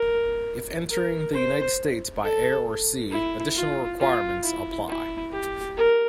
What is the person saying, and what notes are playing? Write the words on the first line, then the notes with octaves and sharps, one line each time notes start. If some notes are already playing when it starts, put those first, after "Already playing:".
If entering the United States by air or sea, additional requirements apply.
Already playing: A#4
A#4
C5
A4
E4
F4
F4
E4
E4
G4
A#4